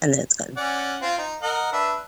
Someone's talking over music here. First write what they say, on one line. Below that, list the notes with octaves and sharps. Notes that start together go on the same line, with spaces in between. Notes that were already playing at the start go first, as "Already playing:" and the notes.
And then it's gone.
C#4 D5 F#5
C4 F4
D#4
A#4 D#5 F#5
D4 B4 E5